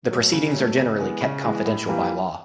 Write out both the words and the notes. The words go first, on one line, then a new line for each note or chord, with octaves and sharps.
The proceedings are generally kept confidential by law.
F#3 A3
C#3
F#3 A3
C#3
E3 G#3 B3
C#3
E3 G#3 B3
A2
E3 G3 A#3